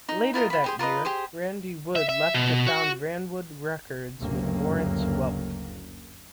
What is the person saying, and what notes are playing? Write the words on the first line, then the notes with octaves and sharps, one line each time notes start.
Later that year, Randy Wood left to found Ranwood Records with Lawrence Welk.
D#4
E4 F4 A#4 D#5
F4 B5
G4 G#4 C5
F4 A#4 B4 D#5
G4 G#4 C5
E5
E5
B2
F#4
F#1 D2 G2 F#3 A#3